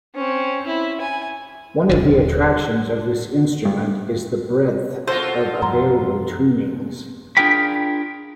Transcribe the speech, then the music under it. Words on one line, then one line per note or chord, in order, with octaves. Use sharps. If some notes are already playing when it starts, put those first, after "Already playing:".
One of the attractions of this instrument is the breadth of available tunings.
C4 C#4
E4
G#5
D#1 A#1 D3
G2
F4 F#4 A4 C5
F#2 F3 A#5 C6
D4 F4 G#4 A#4 G5 B5